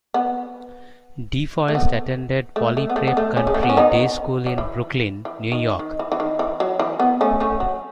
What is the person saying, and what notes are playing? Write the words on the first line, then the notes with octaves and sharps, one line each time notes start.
DeForest attended Poly Prep Country Day School in Brooklyn, New York.
B3
A3
B3
A3
A3
B3
A3
B3
A3
A3 C#4
G#3
A3
B3
C#4
B3 D#4
F#3
E3
E3
D#3
D#3
E3
E3
D#3
E3
F#3
E3
B3
A3 C#4
A3 C#4
F#3